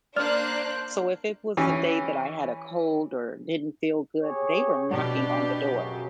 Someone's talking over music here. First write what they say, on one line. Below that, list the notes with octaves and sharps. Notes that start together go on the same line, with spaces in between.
So if it was a day that I had a cold or didn't feel good, they were knocking on the door.
A#3 D4 C5 D5 F6 F#6
E3 C#4 G4
G4 G#4 C#5
B2 D4 G4
F#2 C#3 F#3